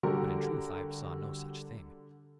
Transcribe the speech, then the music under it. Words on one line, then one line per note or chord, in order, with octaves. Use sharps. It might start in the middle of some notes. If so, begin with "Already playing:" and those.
But in truth I saw no such thing.
D3 G3 F#4 G4 A4 A#4